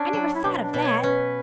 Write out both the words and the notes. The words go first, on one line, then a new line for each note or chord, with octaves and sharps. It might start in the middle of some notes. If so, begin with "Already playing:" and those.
I never thought of that.
Already playing: C#4 D4
F#3
E4
B2 D4
D4
B2
C#5
C#4 B4